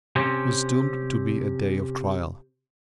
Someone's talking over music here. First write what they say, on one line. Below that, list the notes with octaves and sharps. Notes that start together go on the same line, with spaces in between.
It was doomed to be a day of trial.
C3 C4 C#4